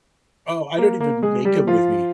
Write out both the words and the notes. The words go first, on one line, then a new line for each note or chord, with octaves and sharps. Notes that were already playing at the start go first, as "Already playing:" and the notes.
Oh, I don't even make 'em with meat.
A#3
A#3
G#3 G#4
G3 G4
F3 F4